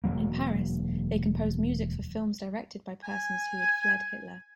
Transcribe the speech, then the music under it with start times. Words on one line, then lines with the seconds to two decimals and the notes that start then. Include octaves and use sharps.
In Paris, they composed music for films directed by persons who had fled Hitler.
0.04 E1 D2 F#3 A#3
3.04 G#5